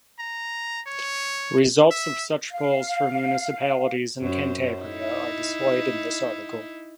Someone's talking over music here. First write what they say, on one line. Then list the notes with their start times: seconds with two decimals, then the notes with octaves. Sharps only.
Results of such polls for municipalities in Cantabria are displayed in this article.
0.19 A#5
0.87 C#5
1.91 E5
2.51 F5
4.21 F#2 C5
4.81 D#4 E4